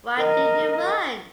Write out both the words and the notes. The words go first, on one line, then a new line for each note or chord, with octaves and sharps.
Why Do You Run?
A#4 D#5